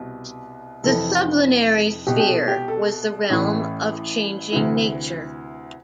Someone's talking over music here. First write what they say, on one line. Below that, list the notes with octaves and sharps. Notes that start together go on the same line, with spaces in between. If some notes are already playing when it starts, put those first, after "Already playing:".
The sublunary sphere was the realm of changing nature.
Already playing: C2 B2
F1 F2 E3 A4
C2 B2 G4
G4
A4
G4
A4
A1 A2 E3
D2 C3 E3